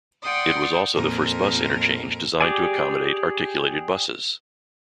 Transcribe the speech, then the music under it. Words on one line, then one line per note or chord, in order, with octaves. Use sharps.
It was also the first bus interchange designed to accommodate articulated buses.
D5 F#5 G5 C6 D#6
F2 A#2 A#4
G4 G#4 D5 G#5